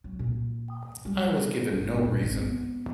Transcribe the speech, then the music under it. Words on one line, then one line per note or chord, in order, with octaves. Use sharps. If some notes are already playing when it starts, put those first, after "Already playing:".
I was given no reason.
F#3
A#2
G3
G#1
A#2
G#1
B3